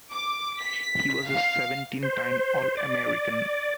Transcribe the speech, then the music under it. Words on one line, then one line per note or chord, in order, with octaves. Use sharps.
He was a seventeen-time All-American.
D6
B6
F5
C5
D5